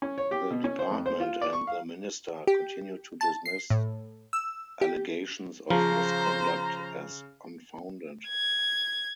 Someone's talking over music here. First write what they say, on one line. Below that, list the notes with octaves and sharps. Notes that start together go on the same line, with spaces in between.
The Department, and the Minister, continued to dismiss allegations of misconduct as unfounded.
C#4
C#5
G4
B2
C#4
C5
F2
C5
F4
D5
C#6
F5
G4
A5
C7
A2
E6
G4
C#3 F3 C5 A#5
G#6